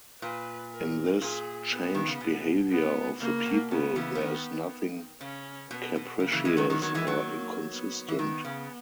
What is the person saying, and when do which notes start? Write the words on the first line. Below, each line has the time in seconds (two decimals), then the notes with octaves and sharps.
In this changed behavior of the people there is nothing capricious or inconsistent.
0.22 A#2 B4
0.72 A#4
1.21 A#2 G#4
1.71 B3
1.95 D#3
2.07 C#3
2.20 B2
2.71 B3
3.20 C#3 A#3
3.46 B2
3.70 C#3 B3
3.96 C#3 E3
4.15 C#3
4.21 D#3
5.21 C#3 C#4
5.69 B2 B3
5.96 B2
6.20 C#3 A#3
6.32 C#3 E3
6.45 E3 G#3
6.57 D#3 F#3
6.70 D#3 F#3 B3
6.82 D#3 F#3
6.94 E3 G#3
7.07 D#3 F#3
7.20 A#3
7.70 B3
8.08 E3
8.19 D#3 B3
8.45 C#3